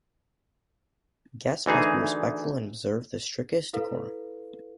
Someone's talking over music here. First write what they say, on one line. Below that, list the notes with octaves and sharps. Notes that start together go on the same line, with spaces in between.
Guests must be respectful and observe the strictest decorum.
D2 E3 D#4 G#4
E4 A4 B4 F5